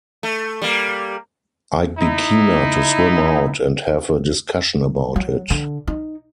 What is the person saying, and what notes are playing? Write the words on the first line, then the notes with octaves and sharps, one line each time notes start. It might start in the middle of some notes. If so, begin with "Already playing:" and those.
I'd be keener to swim out and have a discussion about it.
A3
G3 A#3
D#4 E4
F#3
D3
D#4